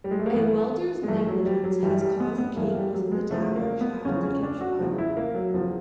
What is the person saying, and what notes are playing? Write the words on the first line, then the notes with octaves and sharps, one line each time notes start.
A welder's negligence had caused the cables in the tower shaft to catch fire.
G3
G#3
A3
A#3
G2 E3 B3
G#3
G2 E3 A3
F#3
G3
F#3
G2 E3 G3
G3
B3
B3
G2 E3 A#3
G3
F#3
G#3
E2 C#3 F3 A3
A#3
B3
E2 C#3 F3 C#4
C#4
D4
F#4
E2 C#3 F3
E4
A#3
F#3
E2 C#3 F3